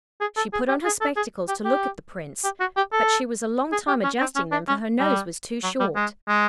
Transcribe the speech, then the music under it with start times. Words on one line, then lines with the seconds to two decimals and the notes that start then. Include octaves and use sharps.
She put on her spectacles to look at the Prince; but she was a long time adjusting them, for her nose was too short.
0.21 G#4
0.37 A4
0.53 G#4
0.69 G4
0.85 G#4
1.01 A4
1.17 G#4
1.48 G4
1.65 G4
2.44 G4
2.60 F#4
2.77 G4
2.93 A4
3.72 G#4
3.88 G4
4.04 C#4
4.20 C4
4.36 C#4
4.52 D4
4.68 C#4
5.00 G3
5.64 F#3
5.80 G3
5.96 G#3
6.28 G#3